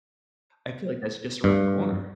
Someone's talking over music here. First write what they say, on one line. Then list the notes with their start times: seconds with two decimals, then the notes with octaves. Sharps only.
I feel like that's just around the corner.
1.44 G2